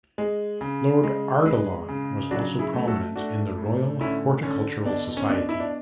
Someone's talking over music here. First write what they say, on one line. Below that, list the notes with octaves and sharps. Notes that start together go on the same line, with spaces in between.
Lord Ardilaun was also prominent in the Royal Horticultural Society.
G#3
C#3
G#3
G#3 G#4 B4
C#3
F#3 D4 F#4
E4 G#4
A3
F#4 A4
A3 D4 F#4
A2
D3 C#4 E4
D3 C#4
B2 D4
C#4
B2 D4
E4
D4